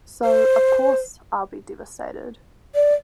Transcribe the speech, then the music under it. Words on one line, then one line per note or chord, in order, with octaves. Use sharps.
So, of course, I'll be devastated.
C5
D5